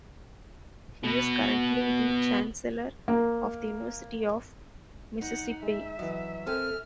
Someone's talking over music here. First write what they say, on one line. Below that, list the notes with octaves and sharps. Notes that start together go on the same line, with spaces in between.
He is currently the chancellor of the University of Mississippi.
B2 B3
A#3
D#4 F#5
G#3 E5
E3 F#3 D#5
C4 A4 A#4 G5 G#5 F6